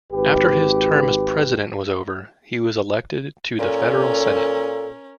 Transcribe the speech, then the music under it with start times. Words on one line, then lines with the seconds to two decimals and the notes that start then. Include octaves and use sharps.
After his term as President was over, he was elected to the federal senate.
0.11 G#1 G4 B4
3.59 A#2 C#4 A4 A#4